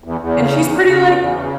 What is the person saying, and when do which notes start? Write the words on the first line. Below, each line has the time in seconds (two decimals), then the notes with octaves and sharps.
and she's pretty like
0.04 E2
0.21 E2
0.36 C#3
0.52 E2
0.70 C#3
0.86 C#3
1.02 E2
1.19 E2
1.35 C#3